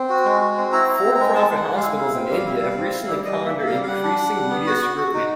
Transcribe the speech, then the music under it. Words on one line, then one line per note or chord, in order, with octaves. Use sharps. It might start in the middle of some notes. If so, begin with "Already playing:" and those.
For-profit hospitals in India have recently come under increasing media scrutiny.
Already playing: C4
F#4
G#3
F#4
C4
E4 A#5
E4
A#5
C4
G#3 A#5
G#3 A5
G#3
F#5
G#3
F5
E4
E4
C4
G3
E4
G3
C4
E4
G3
G3 D#5
A#3
E5
A#3 E5
F5
G3
F5
G3 F#5
D4
D4
G3
B3
F#4
F#4
F#4
D#4